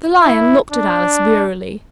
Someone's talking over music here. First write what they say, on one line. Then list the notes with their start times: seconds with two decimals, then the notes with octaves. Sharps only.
The Lion looked at Alice wearily.
0.21 E4
0.72 D4